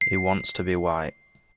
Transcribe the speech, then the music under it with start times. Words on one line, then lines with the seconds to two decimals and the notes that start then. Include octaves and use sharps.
He wants to be white.
0.01 C7